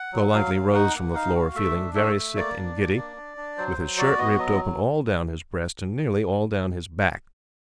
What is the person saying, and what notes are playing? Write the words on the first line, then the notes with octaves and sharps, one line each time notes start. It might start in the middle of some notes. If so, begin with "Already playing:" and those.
Golightly rose from the floor feeling very sick and giddy, with his shirt ripped open all down his breast and nearly all down his back.
Already playing: F#5
F#3
F#3 F5
F#3
D#4 F#5
A#3
D#4 F5
F#4
A3 E5
D4
A3 E5
A3
A#3 D5
D4
A#3
D4
D4
D4
F#3 C5
F#3
F#4 D5
B3 D#5
F#3 D#5